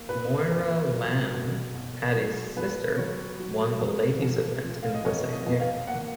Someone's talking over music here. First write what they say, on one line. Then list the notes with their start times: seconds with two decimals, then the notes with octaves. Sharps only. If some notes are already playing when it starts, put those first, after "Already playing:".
Moira Lambe, Paddy's sister, won the ladies' event in the same year.
Already playing: A#3
0.08 A#2 B4
0.50 A#2 A#4
0.92 F#3
1.33 B2
1.74 B2
2.16 F#3
2.57 F2 B4
2.98 F#3 C#5
3.39 F#3
3.81 F2
4.22 F2
4.64 F3
4.83 F5
4.94 D#5
5.05 F2 C#5
5.33 D#5
5.47 F2
5.60 F5
5.87 A#3 F#5